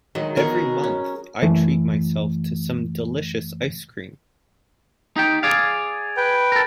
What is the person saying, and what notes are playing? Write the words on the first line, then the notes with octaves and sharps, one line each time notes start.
Every month, I treat myself to some delicious ice cream.
D2 D#3 F#3 G#3 D#5
B2 F#4 G#4 A#4 C#5
C#4
F#2 E3 A3
D#4 G4 G5
G#4 D5 F5
B4 G5
A4 A#4